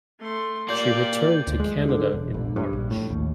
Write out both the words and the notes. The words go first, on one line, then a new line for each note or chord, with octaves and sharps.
She returned to Canada in March.
A3 C6
A#3 F4 G4 D5 G6 F#7
D2
G#3
D3
E1
A#1
G2
A#1
A2
D#2